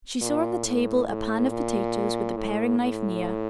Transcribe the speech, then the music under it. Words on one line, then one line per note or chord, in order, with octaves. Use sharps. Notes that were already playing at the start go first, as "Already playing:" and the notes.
She saw on the table a pan of potatoes with the paring knife near.
A#2
A2
A2
A#2
A2
A2